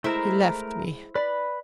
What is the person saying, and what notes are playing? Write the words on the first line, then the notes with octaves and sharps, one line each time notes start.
He left me.
G#3 A3 E4 A#4 C5 E5 A#5
B4 D5 B5